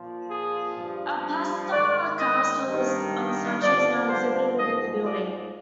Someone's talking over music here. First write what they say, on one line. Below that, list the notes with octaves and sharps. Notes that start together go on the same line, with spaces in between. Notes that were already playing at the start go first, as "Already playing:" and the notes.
A plaster cast of the statue is now exhibited within the building.
Already playing: A#2 F3
G#4
G2 F3
G#2 D#3 D5
D#5
G2 D#3
G2 D3 F3 D5
C5
G#2 F3 D#5
D5